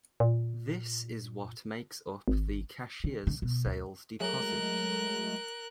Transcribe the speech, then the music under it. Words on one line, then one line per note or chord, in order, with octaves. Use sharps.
This is what makes up the cashier's sales deposit.
A#2
G#1
D3
D3
B2
D2
F#3 G#3 A3 A#4 F#6